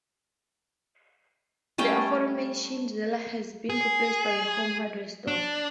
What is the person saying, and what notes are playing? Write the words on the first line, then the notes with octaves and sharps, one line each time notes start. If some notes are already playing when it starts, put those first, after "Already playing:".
The aforementioned Zellers has been replaced by a Home Hardware store.
G3 A3 C#4 G5
G#4
D4